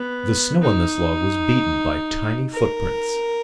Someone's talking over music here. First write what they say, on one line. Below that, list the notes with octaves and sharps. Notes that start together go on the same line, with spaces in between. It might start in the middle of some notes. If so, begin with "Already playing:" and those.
The snow on this log was beaten by tiny footprints.
Already playing: B3
D#4
A#4